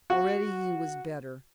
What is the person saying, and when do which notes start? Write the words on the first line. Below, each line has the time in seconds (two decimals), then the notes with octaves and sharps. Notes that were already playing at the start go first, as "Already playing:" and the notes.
Already he was better.
0.10 F#4